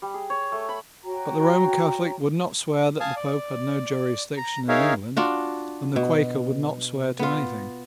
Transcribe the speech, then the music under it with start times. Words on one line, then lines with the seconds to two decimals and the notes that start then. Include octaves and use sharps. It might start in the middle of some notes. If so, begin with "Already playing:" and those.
But the Roman Catholic would not swear that the Pope had no jurisdiction in England, and the Quaker would not swear to anything.
0.02 G3
0.14 G#4
0.30 C#5
0.52 A3
0.69 B5
1.04 F#4 C#5 G5 A#5
3.00 F5 G#5 A5 D#6
3.16 D5
4.37 A#5
4.68 D#4 G#4 A#4 C#5 E5 F5
5.17 D4 F4 F#4
5.96 B2
7.19 B3 F4